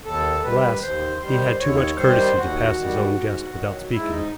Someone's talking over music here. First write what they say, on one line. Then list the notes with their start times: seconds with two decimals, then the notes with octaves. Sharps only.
Alas! he had too much courtesy to pass his own guest without speaking.
0.05 D#2 A4
0.43 D#3 G3 B4
0.82 D#2 C5
1.21 D#3 G3 C5
1.60 D#2 C#5
1.98 D#3 G3 C5
2.37 D#2 F#4
2.75 D#3 G3
3.14 G#2
3.53 D#3 F#3
3.92 G#2 E4
4.11 D#4